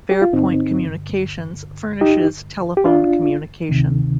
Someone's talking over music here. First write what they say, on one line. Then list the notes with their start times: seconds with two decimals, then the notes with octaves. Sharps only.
FairPoint Communications furnishes telephone communication.
0.11 G4
0.22 F4
0.33 G2 D3 C4 D#4
2.01 D#4 G4
2.77 G4
2.85 D4 F4
3.69 D2 C3 D#3